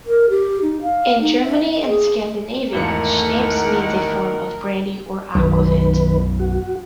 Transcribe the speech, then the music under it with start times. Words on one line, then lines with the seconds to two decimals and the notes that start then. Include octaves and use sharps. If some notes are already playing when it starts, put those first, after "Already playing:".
In Germany and Scandinavia, schnapps means a form of brandy or aquavit.
0.06 A#4
0.29 G4
0.62 D#4
0.82 F5
1.21 D#4
1.44 E5
1.74 D#5
1.88 G#4
2.73 G#1 E2 D#3 A3 A#4 F#5 C#7
5.35 B1 F#2 D#3 F#3 B4
6.40 F#4